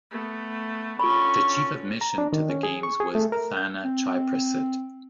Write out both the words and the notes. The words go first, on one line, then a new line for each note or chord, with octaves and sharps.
The chief of mission to the games was Thana Chaiprasit.
A3 B3
D3 C#4 F4 B5 C#6
A#5
D4
D#3
C#4
G#4
C#6
G#4
A3
A#4
G6
C4